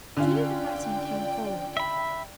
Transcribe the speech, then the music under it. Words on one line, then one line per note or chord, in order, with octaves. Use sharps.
Julie Le Breton came forward.
D3 C#4 F4 D5 G5
E5 B5